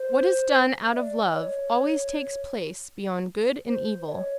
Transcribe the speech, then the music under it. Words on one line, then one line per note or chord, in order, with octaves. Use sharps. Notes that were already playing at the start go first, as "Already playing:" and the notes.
What is done out of love always takes place beyond good and evil.
Already playing: C5
E5
D5
D#5
C#5
C5
D#5
C#5